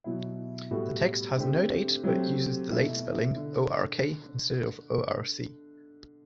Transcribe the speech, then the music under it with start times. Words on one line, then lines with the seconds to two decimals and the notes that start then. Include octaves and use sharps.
The text has no date, but uses the late spelling "Ork" instead of "Orc".
0.04 B2 F#3 B3 E4
0.71 A2 G3 B3 F#4 A4
1.38 D3 A3 C4 G4
2.04 F#3 A3 C4 G4
2.70 B2 A3 E4
3.36 D3